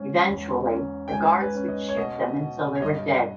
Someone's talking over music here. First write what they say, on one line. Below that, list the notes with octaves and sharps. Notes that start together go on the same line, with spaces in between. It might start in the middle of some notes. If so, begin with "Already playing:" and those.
Eventually, the guards would shoot them until they were dead.
Already playing: G#2 C#4
E2
C#4
G5
G#2 G#5
B4
C#4
D#5
C#5
B2 D#5
B2
C#5
G2 D#5